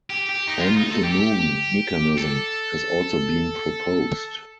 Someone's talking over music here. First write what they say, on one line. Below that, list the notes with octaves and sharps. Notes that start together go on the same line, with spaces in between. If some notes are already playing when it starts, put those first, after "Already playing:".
An immune mechanism has also been proposed.
G4
G4
D#4
F4
D#4
A4
G4
A4